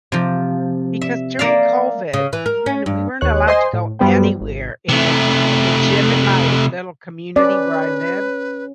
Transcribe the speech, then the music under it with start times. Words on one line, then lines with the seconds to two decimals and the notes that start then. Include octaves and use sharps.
because during COVID, you know, we weren't allowed to go anywhere, and the gym in my little community where I lived,
0.12 C3 F3
1.01 E5
1.39 A#3 D5 E5 F5
2.13 C#3
2.33 E3
2.46 A#4
2.66 C#4
2.86 G2
3.21 D#2 C#5 F#6
3.47 C5 D#5 G#5 C6
3.73 A2
3.99 G2 F#3 G3 B3 C5 G5
4.40 G#1
4.89 C3 A3
7.36 C#4 B4 D5